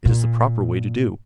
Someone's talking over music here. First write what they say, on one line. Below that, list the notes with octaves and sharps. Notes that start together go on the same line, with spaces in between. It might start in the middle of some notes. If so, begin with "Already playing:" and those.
It is the proper way to do.
A#2